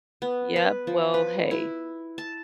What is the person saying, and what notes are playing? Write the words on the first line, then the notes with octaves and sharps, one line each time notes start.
Yup, well hey,
B3
B4
F3
B4
E4
A5